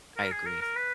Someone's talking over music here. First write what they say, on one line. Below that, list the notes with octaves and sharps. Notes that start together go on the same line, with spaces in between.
I agree.
A#4
G#4
A#4
A#4
B4